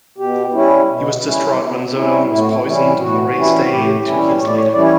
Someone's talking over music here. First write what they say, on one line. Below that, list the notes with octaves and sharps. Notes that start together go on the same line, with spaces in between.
He was distraught when Zoedone was poisoned on the race day two years later.
B2 G4
G3 C#4 E4
B2
G3 C#4 E4
B2
G3 C#4 E4
A2 E4
F#4
E4
E3 G3 C#4 E4
A2 F#4
E3 G3 C#4 E4
F#4
A2 G4
E3 G3 C#4 E4
A2 C#5
D5
C#5
E3 G3 C#4 E4 D5
C#5